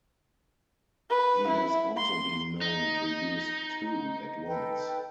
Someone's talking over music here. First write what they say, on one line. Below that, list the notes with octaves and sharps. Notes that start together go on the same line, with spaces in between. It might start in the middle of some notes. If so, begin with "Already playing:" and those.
He has also been known to use two at once.
B4
E4
C6
D#4
A4 B4 G5